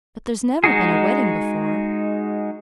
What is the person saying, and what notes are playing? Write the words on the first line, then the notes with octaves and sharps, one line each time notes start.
But there's never been a wedding before.
G#3 D#4 F#4 G#4